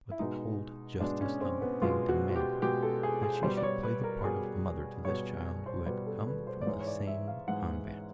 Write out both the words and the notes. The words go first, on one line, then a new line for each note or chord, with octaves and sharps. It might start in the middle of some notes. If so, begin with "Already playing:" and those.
But the cold justice of the thing demanded that she should play the part of mother to this child who had come from the same convent.
E4
B2 G#3 D#4
B2 G#3 D4
C#4
C4
B3
B2 G#3 F4
F#4
F#4
G4
B2 G#3 G4
A4
G#4
G#4
B2 G3 C5
D5
C#5
B4
A#4
B2 G3 G#4
B2 G3 C#5
C5
B2 G3 B4
A4
B4
C5
D5
G#2 E3 G#3 C#5
C#5
D5
E5
F5
G#2 E3 G#3 F#5